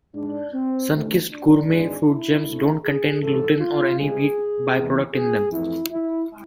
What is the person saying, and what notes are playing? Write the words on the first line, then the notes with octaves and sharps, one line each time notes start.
Sunkist Gourmet Fruit Gems don't contain Gluten, or any wheat by-product in them.
G#2 G#3 D4
C4
D2 C3 E3 A3
D4
G#1 G#2 G#3
E4
D2 D3 A3
G#4
A1 G#2 E3 A4
F4
C2 C3 G#3 G#4
E2 C3 E3 G#3
G#4
F2 E3 A3 E4
E4